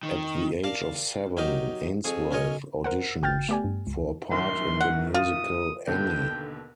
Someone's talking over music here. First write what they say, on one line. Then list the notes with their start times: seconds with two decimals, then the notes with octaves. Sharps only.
At the age of seven, Ainsworth auditioned for a part in the musical "Annie".
0.03 D#3
0.64 A#4 D5 F5 A5
1.37 F#3 D#4 G4 A#4 D#5
2.04 F2 G#4 C#6
2.31 B1 C#4 A#4 C#5 D#5 C#6
2.84 A#4 C5 F#5
3.22 G1 F#4 G5 F6 G6 A6
3.49 A3 B3 G4 D5 G#5
3.64 G2
3.87 C#2
4.31 A#1 F#2 D#3 C6
4.81 F#5
5.14 F4 D#6
5.87 D#2 B2 D3 G5